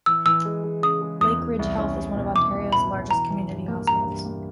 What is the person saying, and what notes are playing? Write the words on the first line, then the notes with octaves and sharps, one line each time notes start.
Lakeridge Health is one of Ontario's largest community hospitals.
E3 E6
E3 E6
G#3
G#3
C#3 D#6
G#3
E2 D#6
E2
C2
C#4
C2
B2
C2 D6
C2
B2 B5
B2
E3 A#5
E3
G2
A#3
G2 A#5
G2
A#3